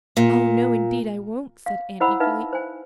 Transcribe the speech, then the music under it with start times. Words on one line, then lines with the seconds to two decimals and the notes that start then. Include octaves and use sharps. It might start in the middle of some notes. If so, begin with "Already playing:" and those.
"Oh, no, indeed, I won't," said Anne eagerly.
0.17 A#2
1.66 F5
2.00 E4 C5 D#5 F#5 B5 E6
2.20 D#4 B4 E5 F5
2.53 C5 G#5